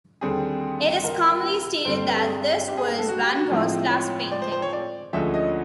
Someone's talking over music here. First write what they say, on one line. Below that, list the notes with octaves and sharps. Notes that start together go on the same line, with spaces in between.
It is commonly stated that this was van Gogh's last painting.
D#2 D3 G3 C4 G#4
A#4
G2 D3 G3 C4 C5
C5
B4
A4
G#4
G4
G#4
A#4
A4
F#4
G4
F#4
A2 F3 G#3 C4
C#5
D5
C5
C5
C#5
D5
D2 D3 F3 G#3 C#4 E5
D#5